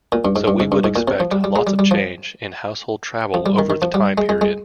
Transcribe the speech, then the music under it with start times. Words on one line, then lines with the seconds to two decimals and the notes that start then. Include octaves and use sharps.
So we would expect lots of change in household travel over the time period.
0.12 A#2
0.25 G2
0.36 G#2
0.48 G2
0.60 G#2
0.72 G2
0.84 G#2
0.96 A#2
1.08 C3
1.20 F3
1.32 G3
1.44 G3
1.56 G#3
1.67 G3
1.79 G3
1.91 F3
3.34 F3
3.46 G3
3.59 D#3
3.70 D#3
3.82 F3
3.94 G3
4.18 G#3
4.29 G#3
4.41 G#3